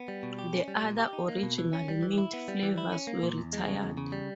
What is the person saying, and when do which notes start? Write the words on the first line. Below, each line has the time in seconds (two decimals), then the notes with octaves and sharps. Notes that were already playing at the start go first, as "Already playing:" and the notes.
The other original mint flavors were retired.
Already playing: B3
0.08 G3
0.23 B2
0.39 G4
0.53 C#4
0.68 G3
0.83 A#2
0.98 G4
1.13 D#4
1.28 A#3
1.43 B2
1.58 E3
1.73 C#4
1.88 G3
2.03 E3
2.18 E4
2.33 B3
2.48 G3
2.63 E3
2.78 E4
2.92 C#4
3.07 A#3
3.23 A#2
3.38 E2
3.53 G#3
3.68 C#3
3.83 E2
3.97 C#3
4.12 G3